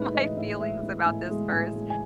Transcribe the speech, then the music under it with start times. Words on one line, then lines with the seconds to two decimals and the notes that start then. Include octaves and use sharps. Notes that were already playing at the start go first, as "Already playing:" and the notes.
my feelings about this first,"
Already playing: A2 G#3 D#4 B4
0.14 E3 D#5
0.37 A2 E5
0.60 G#3 E5
0.83 E3
1.06 A2 G#5
1.30 G#3
1.52 A2 G#5
1.75 G#3
1.90 G#5